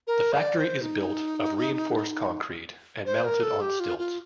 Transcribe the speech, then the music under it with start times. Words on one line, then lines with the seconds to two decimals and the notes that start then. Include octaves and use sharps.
The factory is built of reinforced concrete and mounted on stilts.
0.07 A#4
0.33 D#5
0.37 D5
0.58 C5
0.82 D#4
3.06 C5
3.24 A#4
3.43 A4
3.61 G4
3.80 F4
3.98 F4